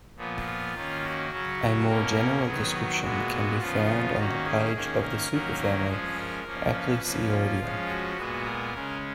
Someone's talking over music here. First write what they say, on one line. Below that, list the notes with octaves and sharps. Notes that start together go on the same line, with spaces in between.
A more general description can be found on the page of the superfamily Aplysioidea.
A#2 F3 B3
F4
D#3 A#3 C#4
F#4
C#3 F#3 C#4
B2 A#3 C#4 A#4
D#3 F#3 B3 G#4
F#4
A#2 G#3 B3
C#3 F3 B3 F4
D#3 A#3 C#4 F#4
G#4
D#3 A#3 C#4
A#4
D#3 F#3 A#3 C#4
A#4
F3 G#3 C#4 G#4
A#4
F3 A#3 C#4
B4
F3 A#3 C#4
F4
F3 G#3 C#4
F#4
A#2 G#3 B3
A#4
C#3 G#3 C#4